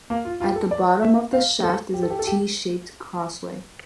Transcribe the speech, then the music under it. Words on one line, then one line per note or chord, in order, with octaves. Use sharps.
At the bottom of the shaft is a T-shaped crossway.
A#3
F4
F4
G4
A4
D5
E5
F5
A4
G4
A4
G4
A4
G4